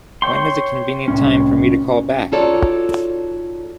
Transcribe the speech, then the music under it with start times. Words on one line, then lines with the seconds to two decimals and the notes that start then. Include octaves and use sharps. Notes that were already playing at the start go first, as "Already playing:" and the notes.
When is a convenient time for me to call back?
0.22 C#5 G5 C6
1.08 C2 A2 C#4
2.32 D#4 F4 F#4 A4 C#5 D5